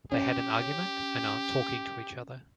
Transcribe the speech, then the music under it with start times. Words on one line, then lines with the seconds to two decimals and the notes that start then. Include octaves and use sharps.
They had an argument and aren't talking to each other.
0.12 C#4 G4